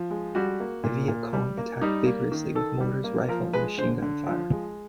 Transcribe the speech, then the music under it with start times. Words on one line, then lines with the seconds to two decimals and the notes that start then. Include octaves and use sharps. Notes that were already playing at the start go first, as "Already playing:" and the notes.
The Viet Cong attacked vigorously with mortars, rifle and machine gun fire.
Already playing: F3
0.10 G#3
0.35 G3 F#4
0.60 A#3
0.84 A#2
1.08 A#2
1.33 G3
1.58 A#3
1.81 G3 D#4
2.06 A#3
2.32 D#3
2.55 D#3 A4
2.80 G3
3.04 A#3
3.28 F3 A#4
3.53 G#3 B4
3.78 D3 C5
4.02 D3
4.27 F3
4.52 G#3